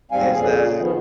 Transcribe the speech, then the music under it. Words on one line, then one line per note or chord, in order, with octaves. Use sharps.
is that
D#2 G#2 G3 C4 F5 G#5
F2 A#2 C#3 G#4
D#3 F3 B3